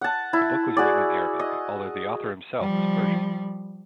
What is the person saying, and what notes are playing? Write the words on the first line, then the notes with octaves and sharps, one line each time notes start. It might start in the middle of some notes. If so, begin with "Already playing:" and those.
The book was written in Arabic, although the author himself was Persian.
F#5 A5
E4
F#4 G#4 D5
D#5
F3 G3